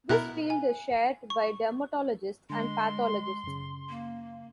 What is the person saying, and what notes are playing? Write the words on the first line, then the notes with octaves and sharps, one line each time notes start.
This field is shared by dermatologists and pathologists.
B2 E4 A#4 F#6
G#5
C#6
D3 G#3 C6
F#2 C#3
A#3